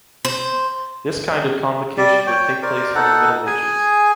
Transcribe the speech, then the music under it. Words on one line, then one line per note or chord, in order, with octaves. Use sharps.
This kind of convocation would take place from the Middle Ages.
C5
G3 D5
C#5 G5
A#4 C5 D5
D#4 A4 F#5
G#4 G#5